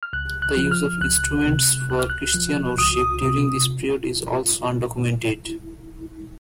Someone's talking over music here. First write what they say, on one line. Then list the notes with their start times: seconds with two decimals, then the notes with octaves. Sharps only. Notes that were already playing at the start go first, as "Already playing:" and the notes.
The use of instruments for Christian worship during this period is also undocumented.
0.03 F6
0.13 C#2 F#6
0.42 F#6
0.57 F3
0.71 F6
1.01 C#2 F#6
1.46 C3
1.89 C#2 F#6
1.99 F6
2.10 F#6
2.34 F3
2.78 C#2 D#6
3.22 C3